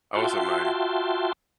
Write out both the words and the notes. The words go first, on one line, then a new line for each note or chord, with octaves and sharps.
I was at my
F4 F#4 E5 G5 A5 C6